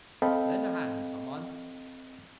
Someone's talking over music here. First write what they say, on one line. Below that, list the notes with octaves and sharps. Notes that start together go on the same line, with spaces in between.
Lend a hand, some one.'
C4 A4 D#5 F5 G5 B5